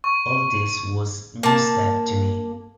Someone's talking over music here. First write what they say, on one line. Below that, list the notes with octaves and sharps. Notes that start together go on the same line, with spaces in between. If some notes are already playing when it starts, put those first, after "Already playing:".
All this was new stuff to me.
C#6
A#3 A5